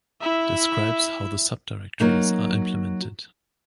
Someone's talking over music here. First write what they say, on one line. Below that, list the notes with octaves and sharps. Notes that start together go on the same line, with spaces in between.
Describes how the subdirectories are implemented.
E4 E5
F#3 A#3 D#4